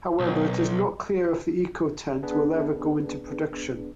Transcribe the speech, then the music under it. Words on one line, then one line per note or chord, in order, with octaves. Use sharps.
However, it is not clear if the eco-tent will ever go into production.
B1
B3 D4 G#4 B4